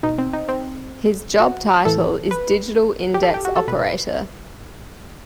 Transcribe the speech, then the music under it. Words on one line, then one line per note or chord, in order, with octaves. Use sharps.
His job title is digital index operator.
B2 D#4
C4
D#4
C4
F#4
A2 E3 A4
B4
G4
A4
G4
F#4
A4
B2 B4